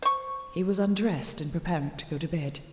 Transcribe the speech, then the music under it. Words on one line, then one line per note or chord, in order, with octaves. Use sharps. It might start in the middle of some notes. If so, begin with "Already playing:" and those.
He was undressed and preparing to go to bed.
C5 C#6